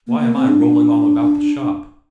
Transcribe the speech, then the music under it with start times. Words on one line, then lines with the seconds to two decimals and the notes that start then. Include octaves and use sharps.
Why am I rolling all about the shop?
0.07 A#3
0.20 A#3
0.34 C4
0.48 D4